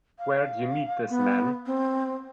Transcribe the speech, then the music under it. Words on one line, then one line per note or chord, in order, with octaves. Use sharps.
Where'd you meet this man?
F5
B3
C4